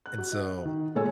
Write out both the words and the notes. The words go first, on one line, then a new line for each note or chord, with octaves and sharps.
And so
F#6
F#4
D#5
D#3
A#2 G#3 A4 C#5 G#5 E6